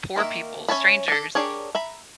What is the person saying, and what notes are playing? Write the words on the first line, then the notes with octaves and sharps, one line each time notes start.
poor people, strangers,
D#3 A#3 A#4 E5
C#4 C#5 E5 A5 B5
D4 A4
D4 G4 G#4 A#4 C#5
E5 A#5 B5